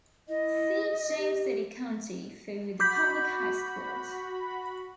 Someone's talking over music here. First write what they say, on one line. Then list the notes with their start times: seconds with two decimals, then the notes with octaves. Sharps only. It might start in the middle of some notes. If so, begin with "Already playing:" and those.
See James City County for the public high schools.
0.28 E4 D#5
1.17 G4
2.80 F#4 B5 D6 G6 B6